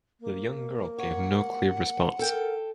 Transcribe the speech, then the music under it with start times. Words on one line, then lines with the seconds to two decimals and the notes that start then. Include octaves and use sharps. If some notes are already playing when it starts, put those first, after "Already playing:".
The young girl gave no clear response.
0.20 A#3
0.98 C#5 F#5
2.19 A4 A#4 G5